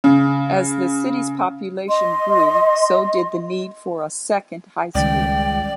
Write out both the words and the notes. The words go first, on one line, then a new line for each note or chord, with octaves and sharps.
As the city's population grew, so did the need for a second high school.
C#3
D#5 C6
C#2 D#3 G3 G#3 D5 G5